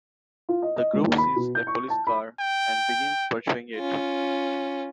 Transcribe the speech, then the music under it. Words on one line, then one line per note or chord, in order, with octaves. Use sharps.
The group sees a police car and begins pursuing it.
F4
D#5
D#5
C#2
D#2
B5
B2
G6
C#6
A5
B5
G5
C#4 F4